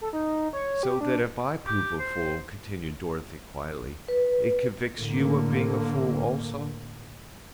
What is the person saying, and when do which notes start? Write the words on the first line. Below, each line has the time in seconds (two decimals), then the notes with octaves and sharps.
"So that if I prove a fool," continued Dorothy quietly, "it convicts you of being a fool also."
0.01 A4
0.13 D#4
0.53 C#5
0.83 G4
1.01 D4
1.67 G4
1.99 C5
4.08 B4
4.96 A2 D3 A#3